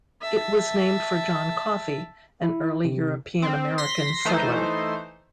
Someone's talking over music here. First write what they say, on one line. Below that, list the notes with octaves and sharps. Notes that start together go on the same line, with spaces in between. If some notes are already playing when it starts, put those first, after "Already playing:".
It was named for John Coffee, an early European-American settler.
E5 A5
E4
C3
C4
C6 A#6 B6
E3 A3 D#4 C5